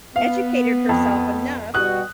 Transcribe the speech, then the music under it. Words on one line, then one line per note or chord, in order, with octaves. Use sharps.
educated herself enough
B3 F5
F2
B2 G3 F#4 D#6 F#6